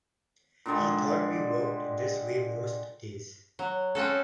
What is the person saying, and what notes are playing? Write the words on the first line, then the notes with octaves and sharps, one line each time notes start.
He thought we walked this way most days.
A#2 D3 G3 G#3
F#3
C4 C#4 F#4 A4